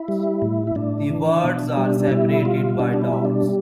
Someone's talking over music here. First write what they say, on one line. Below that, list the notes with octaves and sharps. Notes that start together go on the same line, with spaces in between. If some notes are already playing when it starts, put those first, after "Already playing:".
The words are separated by dots.
Already playing: E4
G3
A2
E4
A2 D4
E3
B2
G3
D4
B2 E4
G3 F4
B2 D4
D4
E4
G3
D4